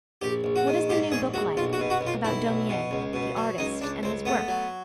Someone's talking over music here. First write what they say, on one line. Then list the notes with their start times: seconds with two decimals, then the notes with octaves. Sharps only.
What is the new book like, about Daumier, the Artist and his Work?
0.22 A#1 G4
0.44 A#1
0.56 F#4
0.67 D#3
0.89 G#2 G4
1.12 A#1 G#4
1.34 A#1 F#4
1.57 B1 F4
1.73 F#4
1.80 B2
1.90 F#4
2.01 B1
2.07 F4
2.25 B1 E4
2.47 B1
2.69 B2
2.91 C#2
3.13 B2
3.36 F#3
3.58 C#2 D#4
3.81 C#2 D4
4.03 C#2 C4
4.25 A3 B3
4.48 F#3